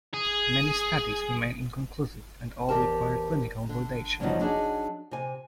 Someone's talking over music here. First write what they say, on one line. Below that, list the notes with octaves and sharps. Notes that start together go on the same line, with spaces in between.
Many studies remain inconclusive and all require clinical validation.
G#4
E2 C4 G4 A#4 A5
D3
E2 G2 C#3 F3 F#3 D#4
F#3 D4 D#4 G#4
C3 G#5